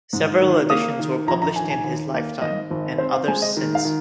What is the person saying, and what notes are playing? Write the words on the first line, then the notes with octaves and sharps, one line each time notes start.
Several editions were published in his lifetime, and others since.
G#2
D#3
A#3 D#6
D#3
A#1 A#5
A#5
D#3 G#5
G#5
D#2
A#3
G#1 D#5
G#1
C4 C5
F5
G#3 G#5
D#5
D#3
F5
D#3